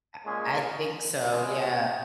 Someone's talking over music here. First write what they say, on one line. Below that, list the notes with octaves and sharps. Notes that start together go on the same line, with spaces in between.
I I think so, yeah.
A#2 G#3 C#4 G#4
B2 G#3 C#4